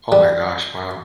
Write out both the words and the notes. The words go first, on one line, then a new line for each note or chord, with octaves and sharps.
Oh my gosh, wow.
G3